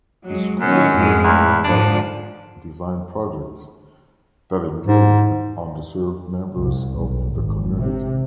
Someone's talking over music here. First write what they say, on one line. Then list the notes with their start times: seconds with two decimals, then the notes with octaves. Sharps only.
The school conducts design projects that engage with under-served members of the community.
0.25 F#3 G#3
0.61 F#2 D#3 F#3 C#4
0.94 F2 G#2 G#3
1.24 E2 A2
1.64 G#2 D3 F3 D4
4.86 G#2
6.57 C2
6.99 B1
7.34 G#1
7.78 C3